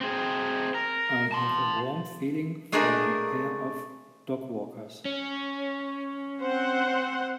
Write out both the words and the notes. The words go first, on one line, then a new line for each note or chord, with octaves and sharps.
I have a warm feeling for my pair of dogwalkers.
C4 G#4
A#4
A5 C6
G#3 A3 D4 G#4 A#4 D#5
C#4
C4 C5 F#5